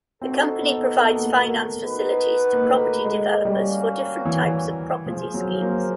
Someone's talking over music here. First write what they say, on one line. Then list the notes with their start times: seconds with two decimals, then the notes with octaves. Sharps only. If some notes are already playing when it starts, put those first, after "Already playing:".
The company provides finance facilities to property developers for different types of property schemes.
0.22 C4 D#4 F#4 A4
0.61 B3
1.02 B3
1.14 A#3
1.25 A3
1.37 A#3
1.83 D#4 F#4 B4
2.53 A#3
2.64 A3
3.05 G#3
3.44 G3 A#3 C#4 F#4
4.25 E3
5.06 F3 F4 G#4 C5
5.34 F#3
5.61 A#3